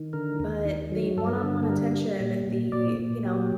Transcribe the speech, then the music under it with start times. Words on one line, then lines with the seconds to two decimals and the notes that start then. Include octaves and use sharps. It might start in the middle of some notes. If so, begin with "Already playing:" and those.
But the one-on-one attention, the, you know
Already playing: D#3
0.13 D3 A#4
0.40 D#2
0.65 D#3
0.92 F#3
1.17 G2 A4
1.27 A#4
1.37 A4
1.43 D3
1.63 A4
1.69 G3 A#4
1.95 G3
2.20 A#2
2.47 A#2
2.72 A#2 D5
2.99 A#2
3.25 F#3 G4